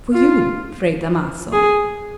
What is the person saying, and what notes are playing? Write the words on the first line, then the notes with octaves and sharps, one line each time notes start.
"For you, Fray Damaso."
F4
G#4